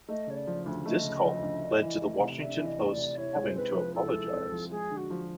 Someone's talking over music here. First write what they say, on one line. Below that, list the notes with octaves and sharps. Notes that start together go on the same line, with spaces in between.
This column led to the Washington Post's having to apologize.
A3 D#5
C#3 C#5
D5
F3
D2
A3 D#5
C#3
F3
D2
D4
E3
A3
C3
D4 E5
E3
D#5
A3
D5
C3
E4 C#5
G#3
C5
C4 B4
F3
E4 A4
G#3
C4
F3
G#3 G#4
D3
F#4
F3